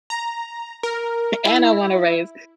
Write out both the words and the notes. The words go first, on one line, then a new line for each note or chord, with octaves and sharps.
A and I wanna raise.
A#5
A#4
E4